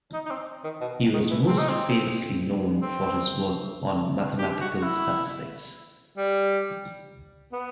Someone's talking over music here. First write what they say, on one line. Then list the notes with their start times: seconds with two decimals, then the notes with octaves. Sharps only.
He was most famously known for his work on mathematical statistics.
0.13 D#4
0.26 D#4
0.30 C4
0.64 D#3
0.81 B2
1.14 D#3
1.31 E3
1.47 C4
1.58 D#4
1.69 C4
2.82 C4
4.38 G4
4.61 F#4
4.76 F#4
4.83 E4
6.18 G3
7.52 B3